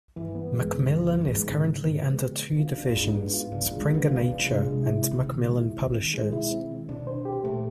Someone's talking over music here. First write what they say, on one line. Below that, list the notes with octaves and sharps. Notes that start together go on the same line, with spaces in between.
Macmillan is currently under two divisions - Springer Nature and Macmillan Publishers.
G2 E3
B3
G#3
C#3
E3
F2
F#2 B3
G2
G#2 G#3
C#3
E3
B3
G#3
C#3
B3
F4
D4
A2
G#2 G#3
B3
F4
D3 D4
E3
D#3 G#3
D3
C#3 B3
C3 F4
C#3
C3 D4
C#3
C3
G#3
C3 G#3
E4
C4
C#3
C3 D#3
G#3
E4
C4
D#3
G#3
B2 E4
C4
D#3
B2 D4
C5
G4
A#2 A3